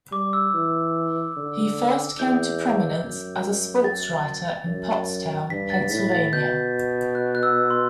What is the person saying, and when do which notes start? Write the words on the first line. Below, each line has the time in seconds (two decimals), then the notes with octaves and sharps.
He first came to prominence as a sportswriter in Pottstown, Pennsylvania.
0.12 G3 D6
0.33 E6
0.54 E3
1.37 D3
2.19 E2 G6
3.02 F#2
3.84 A6
4.67 F#2
5.50 G2 B6
5.70 A6
5.91 A2 B6
6.12 A6
6.32 B2 G6
7.15 F#6
7.35 F#6
7.43 E6
7.70 C6